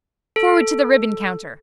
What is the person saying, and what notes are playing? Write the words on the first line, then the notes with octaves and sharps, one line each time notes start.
Forward to the ribbon counter.
A4